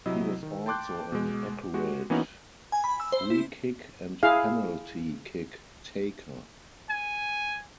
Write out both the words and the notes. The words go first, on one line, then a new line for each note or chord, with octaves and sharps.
He was also an accurate free-kick and penalty kick taker.
C3 F#3 E4 D#5 E6
D#3
G5 A5 C6 D6 F#6 G6
B2 G#3
G#3 F#4 G4
E3 A#3 B3 C#4 D#4 F#4
G#5
B5
E6
C5
E4
E4 G#4 F5
G#5